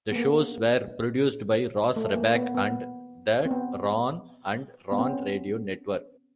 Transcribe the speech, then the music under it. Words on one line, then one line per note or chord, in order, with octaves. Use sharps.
The shows were produced by Ross Reback and The Ron and Ron Radio Network.
B3
A#3
A3
A#3
B3
B3
C4
B3
B3
C4
C#4